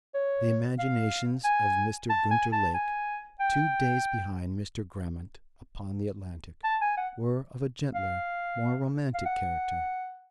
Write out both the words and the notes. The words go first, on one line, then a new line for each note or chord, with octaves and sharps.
The imaginations of Mr. Gunter Lake, two days behind Mr. Grammont upon the Atlantic, were of a gentler, more romantic character.
C#5
F5
G#5
A5
G#5
A5
G#5
G5
A5
G#5
F#5
F5
F5
F#5